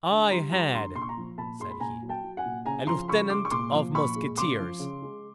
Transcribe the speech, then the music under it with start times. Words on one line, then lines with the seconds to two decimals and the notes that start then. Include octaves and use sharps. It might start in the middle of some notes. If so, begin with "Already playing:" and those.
"I had," said he, "a lieutenant of musketeers!"
0.10 D3
0.30 G3 A#5 C6
0.52 G3 A#5 C6
0.73 D3 A#5 C6
0.95 A#2 C6
1.02 C#6
1.09 A#5 C6
1.17 F3
1.38 A#2 A5 B5
1.60 G#3 C6
1.70 B5
1.80 A#2 G#5 A#5
2.02 F#3
2.09 G5 A5
2.24 F#3
2.37 F#5 G#5
2.45 A#2
2.66 C#3 G#5 A#5
2.87 F3 A#5 C6
3.08 C#3 B5 C#6
3.30 G#3 C6 D6
3.45 C#6
3.51 A#2 C6 D6
3.73 F3
3.94 A#2 B5 C#6
4.16 G#3
4.37 C#3 C6 D6
4.59 F3
4.79 C#3
5.02 G#3